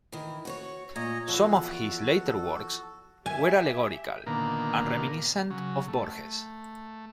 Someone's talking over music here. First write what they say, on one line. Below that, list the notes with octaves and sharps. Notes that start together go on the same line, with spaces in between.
Some of his later works were allegorical and reminiscent of Borges.
D#3 E3
F#4 C5 C#5
A#2 C#5 D#5 A#5
E2 F3 F#4 A4
G4 E5 G#5
A#2 D3 D#3 A#3 B3
C#3 F#3
A3